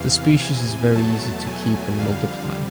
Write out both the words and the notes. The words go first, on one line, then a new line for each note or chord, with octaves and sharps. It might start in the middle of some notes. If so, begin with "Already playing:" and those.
The species is very easy to keep and multiply.
Already playing: E2 C3 E3 F5
G#5
E2 B2 F#3 A3 A5
G#5
F2 D3 G3 F5